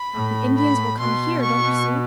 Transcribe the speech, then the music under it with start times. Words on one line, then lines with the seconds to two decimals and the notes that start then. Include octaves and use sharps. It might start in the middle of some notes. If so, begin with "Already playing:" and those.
The Indians will come HERE, don't you see?
Already playing: B5
0.13 A2
0.56 B5
0.99 B2 C6
1.42 C#6